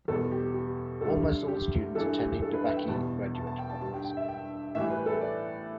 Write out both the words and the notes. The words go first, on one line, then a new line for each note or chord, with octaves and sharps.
Almost all students attending DeBakey graduate from high school.
E2 B2 G3 A4
G4
G4
D2 D3 G3 A4
G4
G2 E3 G3 A4
G4
A4
B4
E5
G5
E2 B2 G3 A5
A5
A5
G5
A5
G2 D3 G3 A5
G5
G5
E5
G5
A2 E3 G3 E5
B4
A4
D5